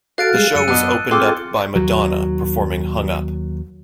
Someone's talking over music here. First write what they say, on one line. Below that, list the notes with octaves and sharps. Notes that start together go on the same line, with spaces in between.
The show was opened by Madonna, performing "Hung Up".
F#4 A4 F5 F#6 A6 D7
G3 G#3 G#4
F#2 E6 C#7 D#7
B3 D4 D#5 F#6
C4 F4 G#4 A4 C6 D6 F6
D#2 F#3